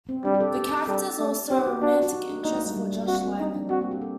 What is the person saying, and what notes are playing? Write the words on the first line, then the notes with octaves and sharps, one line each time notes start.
The character is also a romantic interest for Josh Lyman.
C4
G3 D4
G4
A4
G4
G3 A4
A3
C4 G4
D#4
F#4
D4 F#4
F#4
D#4
D4
A#3 D#4
A3
G3
G3
A#3
C4 F#4
C4
D4 D#4
D4
C4 F#4
A#3
G4
A4